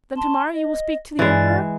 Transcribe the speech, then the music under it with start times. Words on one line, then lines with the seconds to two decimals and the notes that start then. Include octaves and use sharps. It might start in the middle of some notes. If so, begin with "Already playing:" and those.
"Then tomorrow you will speak to the Emperor?"
0.17 A5 C6
0.55 D#5
1.19 G2 E3 G#3 D5 A6